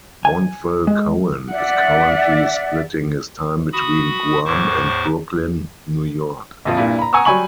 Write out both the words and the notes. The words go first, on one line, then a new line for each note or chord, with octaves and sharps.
Montvel-Cohen is currently splitting his time between Guam and Brooklyn, New York.
G#5
G#3
D5 E5 F#5
F#4 B5 D#6
E2 A2 C5 C#6 D6
A#1 F2 F3
G2 A#2 E4
A#5 B5
F#5 G#5 A#5 C#6 D#6 E6
F#3 G3 G#5 B5 C#6 F#7